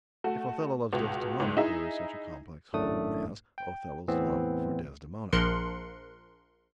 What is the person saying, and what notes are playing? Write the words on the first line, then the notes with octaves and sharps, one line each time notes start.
If Othello loves Desdemona, there is such a complex whole as 'Othello's love for Desdemona'.
A3 F#4
C#2 B2
C#2 G#2
D#4 E4 G#4 D#5 E5
G#1 F#2 A2 A3 D4 D#6
G5
E2 A2 E3 B3 C4
A#1 F3 A#4 C6 F#6 C#7